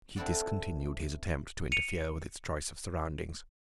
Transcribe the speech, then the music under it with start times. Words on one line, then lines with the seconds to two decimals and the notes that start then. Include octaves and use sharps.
He discontinued his attempt to interfere with its choice of surroundings.
0.16 C4 D4 E4 A4 D5 F#5
1.72 C#7 D#7 F7